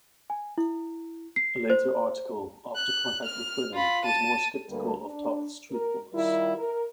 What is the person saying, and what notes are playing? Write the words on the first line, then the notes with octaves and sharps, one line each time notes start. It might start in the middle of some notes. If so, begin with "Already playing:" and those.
A later article, after contact with Brennan, was more skeptical of Toth's truthfulness.
G#5
E4
C7
C5
F#6
F6
F4 B5
A5 D#7
D2 G3 A#3 A4 B4
D4
A#4
D#3 G3 E4 F4 A#4
A#4